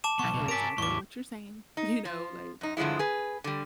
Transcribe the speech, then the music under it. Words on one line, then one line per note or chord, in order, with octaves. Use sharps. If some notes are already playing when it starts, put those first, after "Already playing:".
I hear exactly what you're saying," you know, like,
A5 D6 E7
B1 B3 C#6
C#2 B2
A#4 G#5 B6 D7
E2 A2 C#6 D6
D#4
F3
F#2 D#4
G2 D3 F3 G#3 E4
G#4 B4
D3 G3